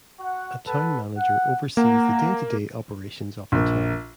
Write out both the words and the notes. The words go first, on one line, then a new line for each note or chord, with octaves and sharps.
A town manager oversees the day-to-day operations of the town.
F#4 F#5
A4 B4 F#5
F#5
A#3 F#5 A#5
A#1